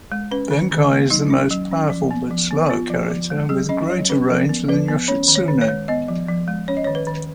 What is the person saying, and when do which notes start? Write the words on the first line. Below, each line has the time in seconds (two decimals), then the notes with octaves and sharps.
Benkei is the more powerful but slower character, with greater range than Yoshitsune.
0.12 G#3
0.31 C#4 B4
0.51 D#3
0.71 D#3
0.92 A#3
1.10 F#3 D#4
1.30 C#4
1.51 F#3
1.71 C#4
1.90 F3
2.11 B3
2.31 F3
2.50 B3
2.69 B3 F4
2.90 F3
3.10 F3
3.30 G#3
3.49 F#3 G#4
3.69 C#4 D#5
3.90 F#3 C#5
4.09 C#4 B4
4.29 F3 A#4
4.49 B3
4.68 F3 B4
4.88 B3
5.08 C#4 C#5
5.28 D#3
5.35 C#5
5.48 D#3
5.61 C#5
5.68 G#3
5.88 B3 D#5
6.08 F3
6.28 F3
6.48 G#3
6.68 C#4 C#5
6.77 D#5
6.84 D#3 C#5
6.95 B4
7.07 D#3